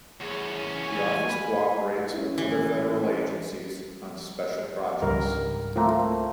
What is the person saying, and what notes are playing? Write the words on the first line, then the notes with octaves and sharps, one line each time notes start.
The office cooperates with other federal agencies on special projects.
E2 C#4 G#4
G#5
B5
C#4 E4
E3
C#2 G#2 C#3 G3 A#4
A3 A#3 C4 F4